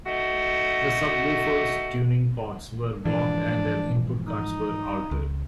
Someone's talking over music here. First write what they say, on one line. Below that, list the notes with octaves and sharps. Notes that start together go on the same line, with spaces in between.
The subwoofers' tuning ports were blocked and their input cards were altered.
A3 D#4 F#4
G#2 E3 F3 D4
D#4
C#2